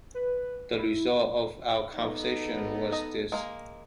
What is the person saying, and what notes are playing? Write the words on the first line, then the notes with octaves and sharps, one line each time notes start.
The result of our conversation was this.
B4
E4
B3 D#4 A4
D#5
G#3 A#3